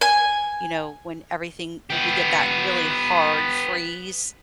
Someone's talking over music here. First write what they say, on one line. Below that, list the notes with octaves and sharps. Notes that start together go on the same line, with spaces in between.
you know, when everything i we get that really hard freeze.
G#5
B3 G4